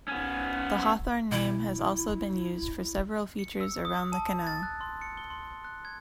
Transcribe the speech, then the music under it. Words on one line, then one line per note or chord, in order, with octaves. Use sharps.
The Hawthorne name has also been used for several features around the canal.
B3 C#4
B2 E3 E4
C#7
E6
D#6
A5
A6
F#6
C6
C#7
G7
C6
F#6
G#6